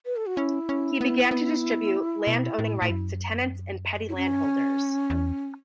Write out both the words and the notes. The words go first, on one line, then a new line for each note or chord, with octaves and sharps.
He began to distribute landowning rights to tenants and petty landholders.
B4
A4
F#4
C#4 E4
C#4
B3
B3
B2
A2
A2
F#2
E4
C#4
E2